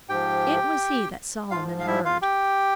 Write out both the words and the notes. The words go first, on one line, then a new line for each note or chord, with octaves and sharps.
It was he that Solomon heard.
G#2 F3 G4 G5
G#2 F3 F4 F5
F5
E4 E5
F4 F5
G4 G5